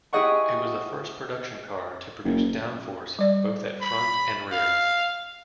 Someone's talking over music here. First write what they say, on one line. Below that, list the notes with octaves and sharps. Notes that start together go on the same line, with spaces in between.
It was the first production car to produce downforce both at front and rear.
E4 G4 G#4 D#5 F#5 C#6
F#1
G3 D5
B5
F5